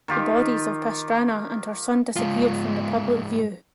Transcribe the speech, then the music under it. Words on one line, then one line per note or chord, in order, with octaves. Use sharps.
The bodies of Pastrana and her son disappeared from the public view.
D#3 F4 G4
G#2 F4